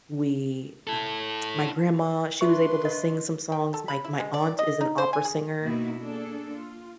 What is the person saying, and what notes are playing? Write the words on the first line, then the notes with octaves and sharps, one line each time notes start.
we, uh, my grandma, she was able to sing some songs. My my aunt is an opera singer,
E4 A4
D4 B4 E5 C6 C#6
D#5
G5
A4
B5
E4
G#3
D5
D#5
D#4
C5
G#5
G#4
B2 A#3 D#4 E4 F#4
A#3 D4 G#4 A4
F4